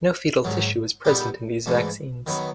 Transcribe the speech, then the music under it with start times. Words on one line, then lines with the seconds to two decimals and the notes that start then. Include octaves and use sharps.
No fetal tissue is present in these vaccines.
0.44 G#2 D#3 F#3
1.05 A#2 G3 B3 D#4 G4
1.66 G#2 E3 A3 D4
2.27 D#3 F#3 B3